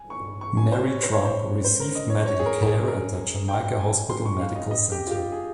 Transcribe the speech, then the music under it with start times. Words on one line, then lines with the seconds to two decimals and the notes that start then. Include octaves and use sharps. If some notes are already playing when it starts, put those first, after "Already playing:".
Mary Trump received medical care at the Jamaica Hospital Medical Center.
Already playing: G#5
0.10 C#6
0.41 C#6
0.57 G#5
0.72 C5
0.87 C#5
1.03 C5
1.13 C#5
1.25 C5
1.64 C5
1.80 A#4
1.95 D#5
2.10 C#5
2.26 C#5
2.40 G#4
2.46 A#4
2.62 A#4
2.66 G#4
2.87 A#4
3.48 G5
3.79 G#5
4.09 C6
4.26 C#6
4.40 F5
4.56 D#5
4.71 D#5
4.92 G4
5.07 F4
5.11 G4
5.32 G#4